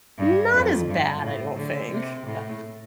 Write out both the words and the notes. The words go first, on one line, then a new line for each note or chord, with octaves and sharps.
Not as bad, I don't think, but
G2
F2
G2
A2
D3
C3
A2